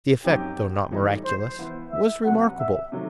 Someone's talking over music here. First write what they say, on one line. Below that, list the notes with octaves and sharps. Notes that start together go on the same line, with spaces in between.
The effect, though not miraculous, was remarkable.
F#2 F#3 C4 D#4 G4
A2 E3 G3 D#4
C5
E3 B3 E4
E5
C3 F#3 B3 F#5
E5
C3 D#3 F#3 A3